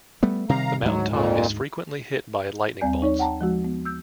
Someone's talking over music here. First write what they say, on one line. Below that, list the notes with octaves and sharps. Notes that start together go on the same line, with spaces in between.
The mountain top is frequently hit by lightning bolts.
G3 A3 B3
C3 D#3 G3 F5 A#5
D2 G#2 F#3
F2 A#2
D#2 G3 C4 D5 G#5 G6
D#4 C#5 D5
F#5 G5 A5 A#5
F3 G#3 F#4
B3
E6 G6